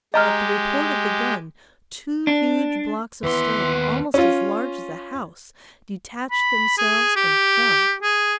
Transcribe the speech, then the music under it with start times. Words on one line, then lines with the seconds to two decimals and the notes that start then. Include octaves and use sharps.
At the report of the gun two huge blocks of stone almost as large as a house detached themselves and fell.
0.14 G#3 G4 D#5 A#5 F6
2.27 D4
3.23 D#2 E3 B3 B4 C6
4.14 C#4 F4
6.31 B5
6.78 G#4
7.16 G4
8.03 G#4